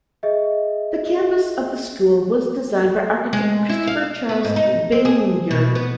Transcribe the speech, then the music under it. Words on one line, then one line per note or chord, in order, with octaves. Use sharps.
The campus of the school was designed by architect Christopher Charles Benninger.
G#4 D#5 E5
G#3
E4
F5
B3
G#2
D#4
C4
G#4
B2
B3